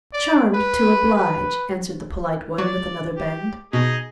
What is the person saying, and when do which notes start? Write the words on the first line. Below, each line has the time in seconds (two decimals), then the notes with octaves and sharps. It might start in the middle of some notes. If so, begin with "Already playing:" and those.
'Charmed to oblige,' answered the polite one, with another bend.
0.13 D5
0.53 B4
1.15 B4
2.58 F#3 D5
3.16 G4
3.73 B2 D#4 G#4